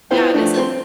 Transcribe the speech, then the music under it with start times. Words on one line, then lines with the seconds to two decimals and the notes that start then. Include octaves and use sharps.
Yeah, this i
0.11 B3 E4 F4 C5 F5 G5
0.34 F3 A3 D4
0.57 C4 C6